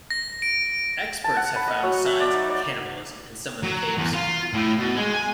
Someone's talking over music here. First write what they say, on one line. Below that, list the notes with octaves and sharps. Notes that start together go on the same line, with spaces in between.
Experts have found signs of cannibalism in some of the caves.
A#6
D7
A5
F#5
B5
D#5
F#3
E5
D5
D#4
D5
F#3
E2
F4
A2
B2
G#3
G#5